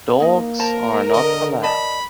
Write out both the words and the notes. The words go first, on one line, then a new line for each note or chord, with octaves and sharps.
Dogs are not allowed.
A#3 D#4 D#5
A#4 C5 A5 A#5
D3 D#5
D5 D#5 A5 B5